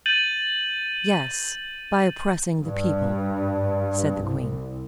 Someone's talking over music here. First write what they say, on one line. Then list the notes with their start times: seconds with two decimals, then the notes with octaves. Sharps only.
"Yes, by oppressing the people," said the queen.
0.06 G6 A6 D#7 F#7
2.63 G2
4.22 C2